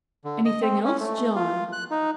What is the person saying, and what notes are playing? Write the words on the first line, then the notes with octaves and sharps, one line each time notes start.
"Anything else, John?"
D3
D#5
C4
C#4
A3
F4
F#6
D#4